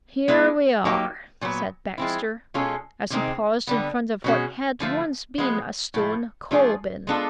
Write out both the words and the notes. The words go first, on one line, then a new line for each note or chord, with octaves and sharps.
"Here we are," said Baxter, as he paused in front of what had once been a stone coal bin.
G#3 B3 E4
F#3 A#3 D#4 G4
A#2 F#3 B3
F3 G#3 C4 E4
B2 G#3 C#4 F4 A4
C3 D#3 G#3 C4 D#4
D3 G3 B3
B2 G#3 C#4 F#4
D3 F3 A3
F3 G#3 B3
A2 F3 A3
F3 A3 D4 F4 G#4
G#3 B3 D4 F4 A4